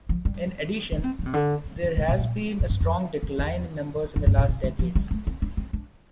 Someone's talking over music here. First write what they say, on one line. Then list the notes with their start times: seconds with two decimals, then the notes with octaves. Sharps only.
In addition, there has been a strong decline in numbers in the last decades.
0.09 F3
0.25 G3
0.92 D4
1.04 C4
1.19 D3
1.26 C3
1.34 D3
1.97 C3
2.08 A#2
2.18 A#2
2.60 A2
2.70 G2
2.81 F2
3.23 F2
3.39 E2
4.16 F2
4.26 G2
4.38 A2
4.48 C3
4.64 D3
4.79 F3
4.95 G3
5.11 A3
5.27 C4
5.42 D4
5.57 C4
5.73 D4